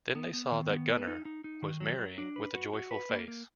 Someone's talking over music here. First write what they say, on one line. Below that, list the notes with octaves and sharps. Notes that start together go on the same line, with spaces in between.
Then they saw that Gunnar was merry, with a joyful face.
B3
B3
D#3
B3
B4
D#4
D#4
D#4
D#3
F#3
F#3
D4
B4
F#4
F#4
B4
A#3
A#3